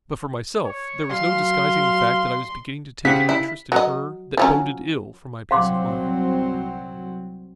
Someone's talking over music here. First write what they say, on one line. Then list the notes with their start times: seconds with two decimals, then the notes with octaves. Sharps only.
But for myself, there was no disguising the fact that I was beginning to take an interest in her that boded ill for my peace of mind.
0.65 C#5
1.11 F#3 F5 C6
3.05 C#3 G4 C5 F#5 B6
3.29 E4
3.72 F#3 D#5
4.37 F3 F#3 C#4
5.51 C2 F#3 C4 F5 C6 D6